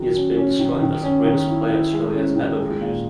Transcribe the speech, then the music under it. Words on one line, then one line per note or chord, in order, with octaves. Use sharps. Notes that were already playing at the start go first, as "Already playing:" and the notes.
He has been described as the greatest player Australia has ever produced.
Already playing: D#3 F#3 F#4
C#4
C#4
D#3
D#3
C#4
D#3
E4
E4
G#3
C#4
D#3
G#3
A#2